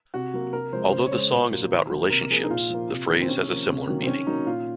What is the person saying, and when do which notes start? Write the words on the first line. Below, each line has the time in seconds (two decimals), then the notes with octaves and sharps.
Although the song is about relationships, the phrase has a similar meaning.
0.14 C3 F#4
0.34 F#3 A#3
0.53 C3 A#4
0.73 F3 G#3 C5
0.92 C#3 C5
1.06 C#5
1.12 G#3 C5
1.32 A#2
1.51 F#3 A#3
1.72 D#3
1.91 F#3 A#3
2.10 C3 A#4
2.30 F3 A#3 G#4
2.44 D#4
2.50 A#2 F4
2.70 F3 A#3
2.89 C3
3.09 D#3 A#3
3.22 C4
3.28 C3 C#4
3.49 F3 A#3
3.68 C3
3.87 D#3 F#3 A#3
4.03 C4
4.07 D#3 C#4
4.27 F#3 A#3 D#4
4.46 A#2 F4